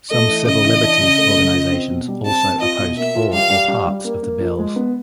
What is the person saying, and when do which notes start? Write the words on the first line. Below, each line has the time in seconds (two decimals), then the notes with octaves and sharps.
Some civil liberties organisations also opposed all or parts of the bills.
0.10 A3 D#5
0.28 E3
0.46 C#3 D#5
0.64 E3
0.83 D4
1.01 C#3
1.18 A3
1.36 C#3
1.53 F4
1.72 C4
1.90 B2
2.08 G3
2.26 C4 A5
2.44 C4
2.61 F4 D#5
2.79 B2
2.97 A#3 E5
3.15 F4
3.32 G3 F5
3.50 G3
3.68 G3
3.87 G3
4.05 A#3
4.23 A#3
4.41 F3
4.59 G#3
4.76 B3